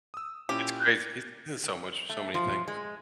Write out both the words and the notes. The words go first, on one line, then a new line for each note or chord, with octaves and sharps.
It's crazy, he's he's in so much so many things.
D#6 E6
A#2 C#4 E4 G4
A3
F3
G#3